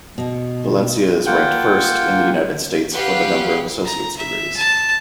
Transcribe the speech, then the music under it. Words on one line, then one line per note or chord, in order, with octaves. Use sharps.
Valencia is ranked first in the United States for the number of associate's degrees.
B2
A#3 F4 F#5 G5
G4 B4 F5 F#5
A#5
E5
A5